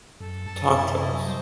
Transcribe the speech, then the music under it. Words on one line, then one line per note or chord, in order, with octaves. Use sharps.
Talk to us.
F#2 A4
F#2 A5
F#2 E4
C3
C3 D#5
F#3
G3 C5